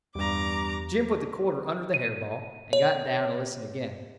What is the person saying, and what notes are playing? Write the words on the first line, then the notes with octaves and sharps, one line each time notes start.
Jim put the quarter under the hair-ball, and got down and listened again.
E2 G2 G3 A#5 D6
D#7
C#5